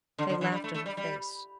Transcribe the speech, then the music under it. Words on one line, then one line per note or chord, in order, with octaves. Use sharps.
They laughed in her face.
D3
D3
E3
G3
A3
A3
G3
G3